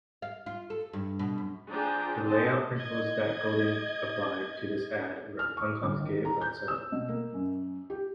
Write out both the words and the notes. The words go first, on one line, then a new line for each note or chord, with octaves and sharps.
The layout principles that Golden applied to this ad were uncomplicated but subtle.
F5
F4
A4
G2
B2
F#2
F3 D4 F4 G#4 G5 A#5
D3 C4 G#4 C5 D#5 A5
D#5 G#6
F6
C#6
G1
D#3
A#5
G6
E6
B2
A#3
F#2
G4